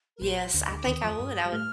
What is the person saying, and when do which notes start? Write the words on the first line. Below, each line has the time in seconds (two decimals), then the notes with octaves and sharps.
Yes, I think I would I would
0.17 A#4
0.21 A#1 A#2 C5
0.54 D2 D3 C5
0.61 D5
0.65 D#5
0.71 D2 D3
0.76 D6
0.87 D#2 D#3 D#6
1.04 F2 F3
1.20 G2 G3
1.46 G3
1.52 A2 A3 F6